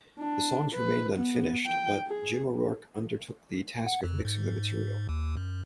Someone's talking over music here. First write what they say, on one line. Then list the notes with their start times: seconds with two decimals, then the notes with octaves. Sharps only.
The songs remained unfinished, but Jim O'Rourke undertook the task of mixing the material.
0.19 D4
0.75 B4
1.15 B3
1.66 G5
2.07 G#4
3.86 F#5
4.04 F2
4.25 G#2
5.09 D#2
5.37 F#2